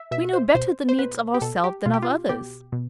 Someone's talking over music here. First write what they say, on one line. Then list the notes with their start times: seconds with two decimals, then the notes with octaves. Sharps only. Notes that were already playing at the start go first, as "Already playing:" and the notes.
We know better the needs of ourselves than of others.
Already playing: E5
0.11 B2 E5
0.33 C5
0.55 B2 C5
0.89 C5
0.99 B2 B4
1.34 G4
1.41 B2 A4
1.64 G4
1.86 B2 F4
1.94 G4
2.02 F4
2.29 B2 G4
2.72 B2